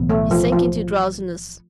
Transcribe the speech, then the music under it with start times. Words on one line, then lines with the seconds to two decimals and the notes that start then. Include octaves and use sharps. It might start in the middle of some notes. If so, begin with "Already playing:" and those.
He sank into drowsiness.
Already playing: B1 A2 E3 B3
0.09 A3
0.31 F3
0.52 F3